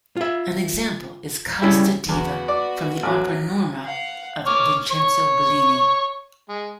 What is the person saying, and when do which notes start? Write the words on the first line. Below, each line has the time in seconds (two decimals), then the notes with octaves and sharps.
An example is "Casta diva" from the opera "Norma" of Vincenzo Bellini.
0.17 F4 E5
1.62 C#3 G3 C#4 E4 G4 E5
2.08 E2 B3 F#4
2.48 D5
3.03 A1 F#3
3.85 F5 F#5
4.46 C#5 D6 F6
4.91 C#5 C#6
6.49 G#3